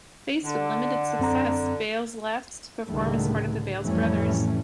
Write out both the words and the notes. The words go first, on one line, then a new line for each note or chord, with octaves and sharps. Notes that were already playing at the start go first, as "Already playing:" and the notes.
Faced with limited success, Bailes left to perform as part of The Bailes Brothers.
D3
F#2 C4 A#5
C#2 A2 D3 D#3 G3 A3
F2 A2 E3 G3 A3 C#4